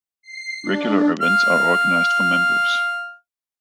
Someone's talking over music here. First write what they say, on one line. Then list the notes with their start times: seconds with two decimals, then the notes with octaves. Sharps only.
Regular events are organised for members.
0.22 C7
0.62 D4
1.21 F5 F6